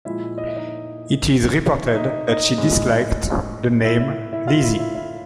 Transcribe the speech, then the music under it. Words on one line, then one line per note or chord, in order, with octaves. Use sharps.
It is reported that she disliked the name Lizzie.
A#2 F3 G#3 E4 E5
D#5
E5
D#4 D#5
E5
D#4 D#5
D#4 D#5
A2 F3 G#3
E4 E5
E4 E5
E4 E5
F4 F5
E4 E5
E4 E5
E4 E5